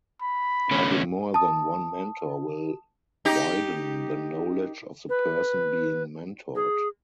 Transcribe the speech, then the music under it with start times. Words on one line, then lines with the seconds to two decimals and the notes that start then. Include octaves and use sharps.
Having more than one mentor will widen the knowledge of the person being mentored.
0.22 B5
0.71 D3 A3 C#4
1.34 A5 D#6
3.25 D#4 G4
5.09 B4
6.55 G#4